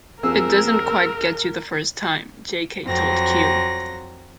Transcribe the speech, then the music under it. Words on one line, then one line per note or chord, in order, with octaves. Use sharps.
"It doesn't quite get you the first time," Jay Kay told "Q".
F#1 F3 C4 G4 G#4 A#4 E6
F2 F#3 C4 A#6